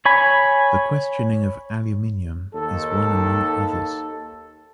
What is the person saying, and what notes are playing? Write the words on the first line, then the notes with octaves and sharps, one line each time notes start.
The questioning of aluminum is one among others.
C#5 G#5 B5
D#2 A4